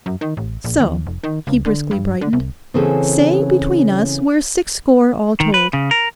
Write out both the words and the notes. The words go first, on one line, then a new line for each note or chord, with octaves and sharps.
So,' he briskly brightened, 'say, between us we're six score all told.
F#2
D#3
A1
A#1
D#2
F1
D#3
C#2
D3
G2
D3
C2
C#3 E3 C4 C#4 G#4 A4
D#3
B4
C#3
A#4